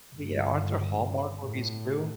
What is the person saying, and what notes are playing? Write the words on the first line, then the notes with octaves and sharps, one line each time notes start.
Oh, yeah, aren't there Hallmark movies, too?
G1
A2